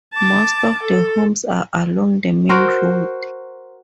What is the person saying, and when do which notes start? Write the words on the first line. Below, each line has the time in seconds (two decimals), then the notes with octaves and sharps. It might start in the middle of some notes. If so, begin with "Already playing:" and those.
Most of the homes are along the main road.
0.14 A5 D6
0.83 A4
2.49 F#4 A#4 C5